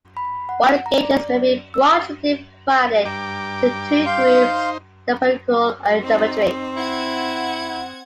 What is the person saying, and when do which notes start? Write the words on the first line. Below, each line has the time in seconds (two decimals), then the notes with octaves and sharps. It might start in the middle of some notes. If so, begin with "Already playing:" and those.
Wire gauges may be broadly divided into two groups, the empirical and the geometric.
0.17 B5
0.49 F#5
0.86 A#5
1.03 D5
1.74 E6
3.05 G2 G5 A#5 D6
4.06 F5 C6 G6
4.27 D#4 C5
6.02 C4 D#4
6.76 E4 F#5 G#6